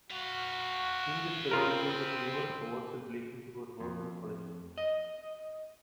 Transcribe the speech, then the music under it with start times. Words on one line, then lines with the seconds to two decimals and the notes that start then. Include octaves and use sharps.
Singh is the recipient of numerous awards in relation to her work and scholarship.
0.10 F#4 B4 F5
1.51 C#3 C4 F4 A#4
3.80 F2
4.78 D#5